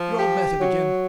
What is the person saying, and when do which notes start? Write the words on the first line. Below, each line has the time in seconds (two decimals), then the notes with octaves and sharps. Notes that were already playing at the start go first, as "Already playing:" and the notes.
Your old method again.
Already playing: F3
0.17 G4
0.59 F#3